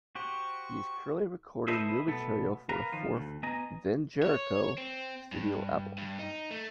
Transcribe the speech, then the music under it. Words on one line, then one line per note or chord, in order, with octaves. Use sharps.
He is currently recording new material for the fourth Then Jerico studio album.
F#4 G4 C5 C#6
E4 A4 B4 C5 D#5 E5
B2 A3 B3 A4
A#4 B4 F5 A#5
D#3 F3 F4
D2
B3 D#5 G#5 A#5
C#5
C4
G2
G2
D#4
A3